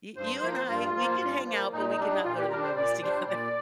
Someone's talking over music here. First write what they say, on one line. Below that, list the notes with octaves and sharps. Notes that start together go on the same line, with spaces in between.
You you and I, we could hang out, but we could not go to the movies together.
G2 C5
C5
F3 A#3
C5
G2 F4
F3 A#3
G2
F3 A#3
A#2 D#4
D#4
G3 D4
D#4
A#2 F4
G4
G3 D4 A#4
C5
A#2 D5
G3 D4 C5
A#2 D5